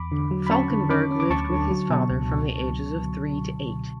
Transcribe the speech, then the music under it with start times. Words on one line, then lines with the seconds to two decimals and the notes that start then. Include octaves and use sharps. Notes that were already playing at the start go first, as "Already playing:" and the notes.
Falkinburg lived with his father from the ages of three to eight.
Already playing: E2 B5 D6
0.12 D3
0.31 F#3
0.47 B5
0.51 C#4 A5 C#6
0.70 D3
0.90 C#4 B5 D6
1.11 C#4
1.20 D6
1.30 D2 A5 C#6
1.50 D3
1.71 F#3
1.90 B2
2.10 C#2